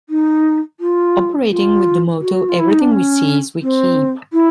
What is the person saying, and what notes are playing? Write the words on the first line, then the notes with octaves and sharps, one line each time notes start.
Operating with the motto Everything we seize, we keep.
D#4
F4
F4
F#4
F4
E4
D#4
D4
C#4
C4
E4